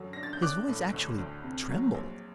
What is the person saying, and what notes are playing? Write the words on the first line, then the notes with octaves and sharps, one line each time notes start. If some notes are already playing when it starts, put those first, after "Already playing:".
His voice actually trembled.
Already playing: F#2 D3 F#3
D4 A#6
A6
G6
D4 D6 F#6
A2
D2
D2
C3
F#3
A#1